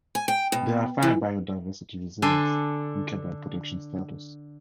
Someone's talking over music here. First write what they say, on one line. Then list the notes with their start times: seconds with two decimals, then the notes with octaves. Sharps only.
There are five biodiversity reserves in Quebec with permanent protection status.
0.15 G#5
0.28 G5
0.52 B2
1.03 E3
2.22 D3 D4 A4 G#5 C6